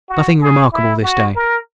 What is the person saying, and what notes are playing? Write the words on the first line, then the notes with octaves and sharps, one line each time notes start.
Nothing remarkable this day.
F#4
G#4
E4
F#4
A#4